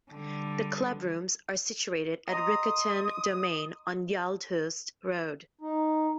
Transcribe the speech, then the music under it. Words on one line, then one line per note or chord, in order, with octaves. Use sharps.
The club rooms are situated at Riccarton Domain on Yaldhurst Road.
D3 G3
D#5 A#5 C6 D#6
D#4